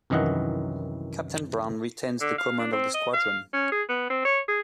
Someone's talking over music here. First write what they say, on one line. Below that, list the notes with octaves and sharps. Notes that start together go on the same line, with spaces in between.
Captain Brown retained the command of the squadron.
C2 F#2 D#3 E3 D#5 F#5
D3
F5
D4
C4
D#5
F5
C#4
G#4
B3
C4
C#5
G#4